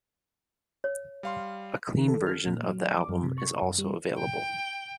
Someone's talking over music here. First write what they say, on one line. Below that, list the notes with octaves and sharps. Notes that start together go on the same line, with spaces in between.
A clean version of the album is also available.
C#5
G3 F5 C6
D#3
A4
F6
A#2
F#3
D5
D6
F#2
C3
C#6
F#2
G3
G5